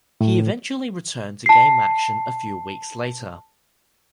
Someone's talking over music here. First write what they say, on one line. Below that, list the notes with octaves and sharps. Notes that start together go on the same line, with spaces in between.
He eventually returned to game action a few weeks later.
A2
A5 C7